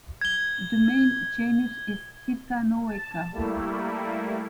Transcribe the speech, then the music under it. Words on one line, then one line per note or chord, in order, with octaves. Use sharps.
The main genus is "Titanoeca".
G#6 G7
A5
G3 A3 A#3 E4